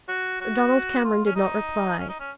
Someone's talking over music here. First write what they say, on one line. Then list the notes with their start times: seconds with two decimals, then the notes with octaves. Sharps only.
Donald Cameron did not reply.
0.08 F#4
0.41 F#4
1.04 F4
1.26 C#4
1.36 D#4
1.99 C#4
2.09 D#4
2.20 C#4